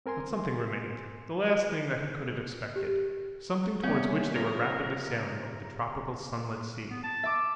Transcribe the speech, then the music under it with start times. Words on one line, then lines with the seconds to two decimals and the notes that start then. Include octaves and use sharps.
But something remained--the last thing that he could have expected--something towards which they were rapidly sailing over the tropical, sunlit sea.
0.06 C4 A#4 G#5 C6
2.76 G4
3.83 C3 G3 A#3 B3 C#4 D5 F#5
4.36 C#3 F3 A#4
6.90 B3
7.03 A5
7.23 E5 D6